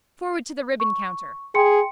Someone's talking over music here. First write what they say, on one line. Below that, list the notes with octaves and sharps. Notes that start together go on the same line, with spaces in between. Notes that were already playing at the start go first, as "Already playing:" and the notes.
Forward to the ribbon counter.
C#6
G#4 G5 C6 C#7